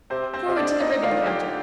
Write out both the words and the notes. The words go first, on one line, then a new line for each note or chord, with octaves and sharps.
Forward to the ribbon counter.
C3 C4 C5
C4 C5
C3 D#5
D3 D4 D5
D#4 D#5
D3 F4 F5
D#3
D3
G4 G5